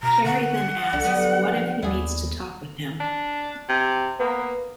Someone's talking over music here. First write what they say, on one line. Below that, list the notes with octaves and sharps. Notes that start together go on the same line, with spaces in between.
Jerry then asks what if he needs to talk with him.
B2 A#5
D3 F#5
C2 D3 D4
F#3 G3 B3 E5
F3
D#2 E4 G#4 D5
D4
C3
A#3 B3